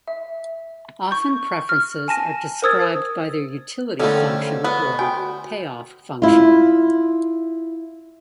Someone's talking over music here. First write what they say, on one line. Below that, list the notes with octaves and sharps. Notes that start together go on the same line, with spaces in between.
Often preferences are described by their utility function or "payoff function".
E5
C#6 G6
F6
G#5 A5 A#6 D#7
A#4 C5 D#6 E6 G#6 A6
D3 D#3 F3 G3 A3 C#4 A4 F5
B3 F#4 B4 C5
F#4 G5 G#5
E4 F4